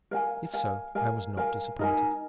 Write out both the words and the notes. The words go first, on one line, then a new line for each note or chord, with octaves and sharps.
If so, I was not disappointed.
A#4 F5 G#5
A#4 F5 G#5
A#4 F5 G#5
A#4 F5 G#5
D#4 A#4 G#5